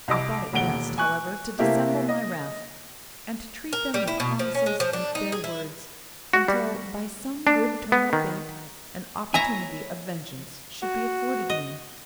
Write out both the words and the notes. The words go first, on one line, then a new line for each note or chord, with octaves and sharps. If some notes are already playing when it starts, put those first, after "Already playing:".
I thought it best, however, to dissemble my wrath, and to treat them with promises and fair words, until, by some good turn of fate, an opportunity of vengeance should be afforded me.
C2 D#5 D6
E1 D#2 F#5 D7 G7
G#5 C#6 F#6
C3 A3 A#3 E4 G4
D#5
A#4
G3
E4
B2
F3
C#4
G#3
F3
D4
D#4
G#4
E4
F#4
G3
D4
B3
D#3
E4 C#5 E5 G#5 A#5
F#4
D#5